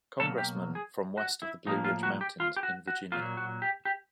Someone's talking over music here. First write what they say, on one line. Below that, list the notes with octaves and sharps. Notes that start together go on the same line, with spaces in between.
Congressman from west of the Blue Ridge mountains in Virginia.
B2 F#3 A#3 A4
G4
G#4
F#4
E4
A2 F3 A#3 D#4
F4
F#4
G4
F4
G4
F#4
F#4
A#2 F#3 A#3 F4
F#4
G4
G4